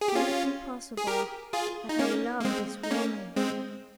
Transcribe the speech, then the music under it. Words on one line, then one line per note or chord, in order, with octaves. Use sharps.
"Can it be possible that I love this woman?"
G#4
G4
C#4 F4
G#4
G4 A#4
F4 G#4
D#4
A#3 C#4
A#3
G#3 C4
D#4
A#3 C#4
G#3 C4